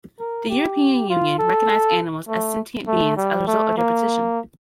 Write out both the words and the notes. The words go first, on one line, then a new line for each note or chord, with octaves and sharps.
The European Union recognised animals as sentient beings as a result of their petition.
A#4
G4
F4
A4
A3
A3
G3
A3
A#3